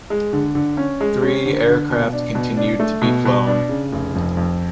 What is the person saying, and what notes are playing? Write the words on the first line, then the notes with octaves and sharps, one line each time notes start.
Three aircraft continued to be flown.
G#3
D3
D3
C#4
G#3
C#4
D3
D3
B2
D4
B2
D4
A3
B2
B2
D4
C#3
F1
F2
F2